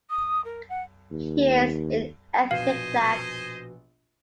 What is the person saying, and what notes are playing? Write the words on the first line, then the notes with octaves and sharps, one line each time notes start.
He is an Ethnic Lak.
D#6
A#4
F#5
D#2
A#1 B2 C5 D#5 F5 G#5